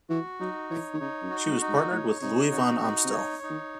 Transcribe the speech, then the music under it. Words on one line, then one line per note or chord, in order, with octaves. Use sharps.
She was partnered with Louis Van Amstel.
E3 F#4
F#3 D#4
E3 C#5
D#3
C#3 D#4
F#2
F#4
G#2
D#4
G#2
A2 C#5
C3 D#4
C#3 F#4
C3 D#4
C3
C#5
D#4
D#3